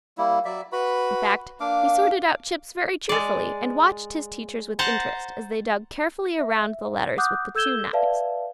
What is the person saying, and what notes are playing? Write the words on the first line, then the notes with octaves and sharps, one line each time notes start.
In fact, he sorted out chips very cheerfully and watched his teachers with interest as they dug carefully around the letters with the two knives.
G3 A#3 E4
F#3 D5 E5
F#4 B4 B5
A#3 D4 F5 D6
G#3 D5
C5 F#5 A5 A#5
E5
F#5 D6 D#6 F#6 G6
A4 E6 G6 G#6 E7 G7
B4 D5 E5 F5 A5